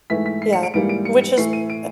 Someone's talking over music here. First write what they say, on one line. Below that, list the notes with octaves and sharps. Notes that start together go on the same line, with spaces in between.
Yeah. Which is eh
G#2 E3 A3 B6
B6
C7
C#7
D7
G#2 E3 G3 A#3 D7
D7
C#7
C#7
A2 E3 A3 C7
D#7
D7